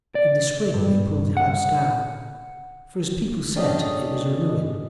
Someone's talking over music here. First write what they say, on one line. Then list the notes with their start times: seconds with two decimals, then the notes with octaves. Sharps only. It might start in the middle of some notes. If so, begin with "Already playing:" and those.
In the spring they pulled the house down, for, as people said, it was a ruin.
0.15 D5
0.74 G2
1.37 F#5
3.56 A3 C#4 D4 G4 G#4 D#5